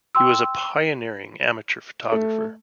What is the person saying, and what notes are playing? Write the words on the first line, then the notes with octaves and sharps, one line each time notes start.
He was a pioneering amateur photographer.
G5 C6 E6
A3